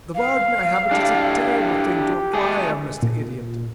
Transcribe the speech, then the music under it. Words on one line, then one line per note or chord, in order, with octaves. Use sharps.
"The Wagner habit is a terrible thing to acquire, Mr. Idiot."
F5
D4 E4 G4 A4
A3 G#4
A#2